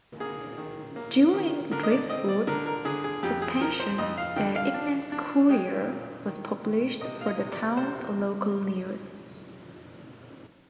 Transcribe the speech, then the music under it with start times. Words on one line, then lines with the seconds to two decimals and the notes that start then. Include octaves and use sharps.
During "Driftwood"'s suspension, the "Ignace Courier" was published for the town's local news.
0.20 A#3 G#4
0.58 D#3
0.96 A#3
1.34 D#3
1.71 D3 A#4
1.83 D#5
1.90 D5
2.10 C4 D#5
2.29 D5
2.47 D3 A#4
2.66 A#4
2.85 D3 G#4
3.04 G#4
3.23 F2 G4
3.42 G#4
3.61 F3 A#4
3.80 C5
3.98 F2 D#5
4.18 F5
4.36 D3 G5
4.55 F5
4.74 D4
5.12 D4
5.50 G#3 G5
5.88 A#2
6.26 D#3
6.64 D#3
7.01 C3 D#5
7.21 F5
7.27 D#5
7.39 C3
7.52 D5
7.77 C3 C5